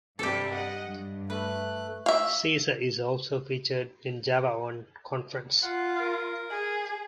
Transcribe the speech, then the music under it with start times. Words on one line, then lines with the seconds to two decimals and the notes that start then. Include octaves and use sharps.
Seasar is also featured in JavaOne conference.
0.19 G2 C3 G3 G4 A4
0.53 D#5 F#5
0.85 G2
1.30 A3 B4 F#6
2.06 E5 F5
5.63 F4 F#5
6.00 A#4
6.50 G#4